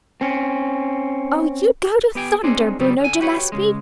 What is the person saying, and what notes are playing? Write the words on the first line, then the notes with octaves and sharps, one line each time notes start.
"Oh, you go to thunder, Bruno Gillespie!"
C4 C#4
B3 G4 G5 G#5
C4 D4 D#4 G#4
C#3 F#3 G3 B3
D3 G#5
F#4 G4 B4 C#5
C#2 G#2 C#3 G#3